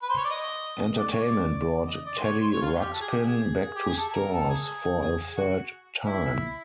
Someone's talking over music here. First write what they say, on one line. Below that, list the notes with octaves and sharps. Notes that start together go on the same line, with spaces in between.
Entertainment brought Teddy Ruxpin back to stores for a third time.
B4
C5
C#5
D5
D#5
D#5
D5
C#5
D5
D#5
D5
C5
C#5
C5
C#5
F4
F#4
G4
A4
G#4
G4
G#4
G4
G#4
A4
A4
A#4
A4
G#4
G#4
F#4
E4